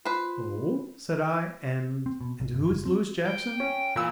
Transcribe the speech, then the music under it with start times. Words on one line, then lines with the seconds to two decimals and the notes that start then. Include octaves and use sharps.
"Oh," said I; "and--and who is Louis Jackson?"
0.05 F4 B4 C5
2.06 C4
2.21 B2
2.40 A#1
2.54 G1
2.71 F#1
2.85 C4
3.26 G5
3.60 C#4
3.96 A#2 E3 E6